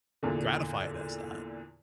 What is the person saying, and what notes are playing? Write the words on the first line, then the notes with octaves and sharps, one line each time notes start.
gratify it as that?
E2 A#2 D3